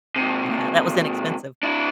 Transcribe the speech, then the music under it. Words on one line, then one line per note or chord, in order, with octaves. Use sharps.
Yeah. That was inexpensive.
G#2 C3
D4 E4